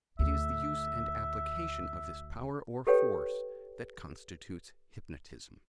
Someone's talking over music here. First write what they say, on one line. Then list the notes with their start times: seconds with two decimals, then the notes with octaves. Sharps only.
It is the use and application of this power or force that constitutes hypnotism.
0.19 D2 E5
2.87 G4 A4 B4 C#5 G5